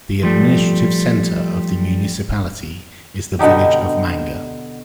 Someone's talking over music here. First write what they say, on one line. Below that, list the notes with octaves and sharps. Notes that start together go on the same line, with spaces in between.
The administrative centre of the municipality is the village of Manger.
F3 G3 A3
B2 D3 D#4 G4